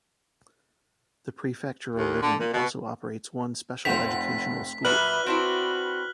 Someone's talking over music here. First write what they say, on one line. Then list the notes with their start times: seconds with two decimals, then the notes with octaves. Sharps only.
The prefectural government also operates one special educational school.
1.94 D#2
2.22 D3
2.39 A#2
2.54 B2
3.85 F1 C4 F4 F#5 B6 F7
4.85 A#2 F#3 D4 B4 E5 F6 F#6 F#7
5.27 C4 D4 E4 F#4